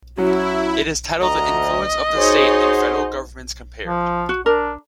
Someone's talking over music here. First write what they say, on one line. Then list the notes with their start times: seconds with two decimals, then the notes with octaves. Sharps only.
It is titled The Influence of the State and Federal Governments Compared.
0.17 F#3 C#4 E4 F#4
1.21 D2 D#5 A#5
2.16 D#4 F#4 G#4 C5 C#5
3.87 F3
4.29 F#4
4.46 D4 A#4